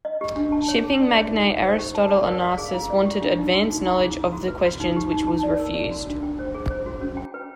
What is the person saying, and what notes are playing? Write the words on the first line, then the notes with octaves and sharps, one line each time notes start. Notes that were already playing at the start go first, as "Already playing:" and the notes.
Shipping magnate Aristotle Onassis wanted advance knowledge of the questions which was refused.
D#5
G4
D4
A5
C#5
G#4
D5
F#4
D#4
G5
C5
G4
A5
D5
A#4
F5
G#4
E4
D5
G4
D4
D#4
F#4
D#4
E4
G#4
E4
F#4
B4
F#4
D#4
G4
D#4
A5
D5
A#4
D5
F#4
D4
G5
C5
G#4
C5
F#4
C#4
G5
B4